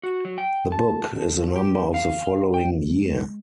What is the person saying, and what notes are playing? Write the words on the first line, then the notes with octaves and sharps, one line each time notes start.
The book is a number of the following year.
F#4
F#3
G5
A5
G4
F5
G5
G#3